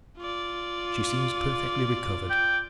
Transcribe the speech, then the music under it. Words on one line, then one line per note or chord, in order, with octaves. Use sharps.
She seems perfectly recovered.
F4 D5
G5